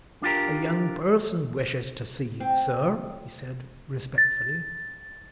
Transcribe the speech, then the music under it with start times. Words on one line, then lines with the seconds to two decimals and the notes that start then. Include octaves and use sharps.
"A young person wishes to see you, sir," he said, respectfully.
0.22 D4 F4 G4 A#4
2.40 C4
4.18 A6